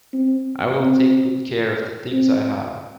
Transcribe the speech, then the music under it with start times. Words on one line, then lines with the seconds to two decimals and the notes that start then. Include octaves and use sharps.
I will take good care of the things I have.
0.13 C4
0.79 C4
2.12 C4